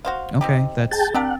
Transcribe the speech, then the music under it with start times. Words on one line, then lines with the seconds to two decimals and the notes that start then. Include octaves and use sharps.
Okay, that's
0.05 F#4 C5 F5
0.41 C4 D#4 G4
0.91 G#4 G5 A5 A6
1.14 C4 D4 G4 A#4 F#5